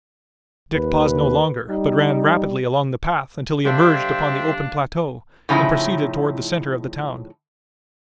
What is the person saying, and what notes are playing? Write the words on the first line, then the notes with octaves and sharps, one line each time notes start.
Dick paused no longer, but ran rapidly along the path until he emerged upon the open plateau and proceeded toward the center of the town.
D#2 B4
G3 D#4
D3 G3 D4 C5 E5 F5 G5
A2 C#3 F3 D#4 E4